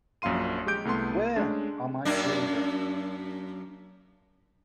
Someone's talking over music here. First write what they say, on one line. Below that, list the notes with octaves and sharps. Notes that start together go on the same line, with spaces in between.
Where Are My Children?
A#1 F#2 A#2 F5 C6 D#7
G#3 G4 D6 G6 D7
C2 A3 B3 C6
G#3 A3 C#4 D4
F#2 A#3 D4